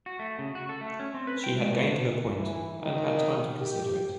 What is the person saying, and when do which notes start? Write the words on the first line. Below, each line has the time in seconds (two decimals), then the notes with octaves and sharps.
She had gained her point, and had time to consider it.
0.06 F#4
0.19 A3
0.39 C#3
0.55 F#4
0.69 A4
0.81 A3
1.00 C#4
1.14 C4
1.27 B4
1.44 G5
1.59 G#3
1.72 A2
2.38 E3
2.81 D#3
3.60 G4